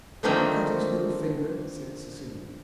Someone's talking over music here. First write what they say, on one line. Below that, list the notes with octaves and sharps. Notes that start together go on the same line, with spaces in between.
"Cut his little finger," said Cecilia.
D3 D#3 F3 A3 A#3 C4